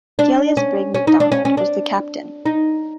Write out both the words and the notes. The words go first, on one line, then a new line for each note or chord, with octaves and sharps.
Gilleasbuig Macdonald was the captain.
D4
C#4
C#4
D#4
D4
C#4
C#4
D4
D#4